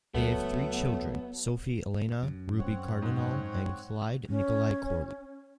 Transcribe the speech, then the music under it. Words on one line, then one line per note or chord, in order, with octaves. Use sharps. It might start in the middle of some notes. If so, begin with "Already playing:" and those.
They have three children: Sophie Elena, Ruby Cardinahl and Clyde Nikolai Corley.
C#2 F#3 A3 B3
F#2
C4 C#5 F#5
G#2
C#4